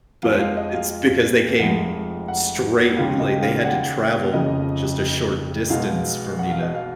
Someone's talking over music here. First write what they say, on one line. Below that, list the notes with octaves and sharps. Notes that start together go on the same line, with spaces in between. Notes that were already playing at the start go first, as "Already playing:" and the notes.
but it's because they came straight, like, they had to travel just a short distance for me to
F2 F3 G#3 F5
F5
D#5
F5
F1 F2 F3 G#3 F#5
F#5
D#2 C#3 F3 G#3 F5
D#5
F5
F#5
F1 F2 C#3 F3 D#5
B1 B2 G#3 F5
F#5
F5
D#5
F5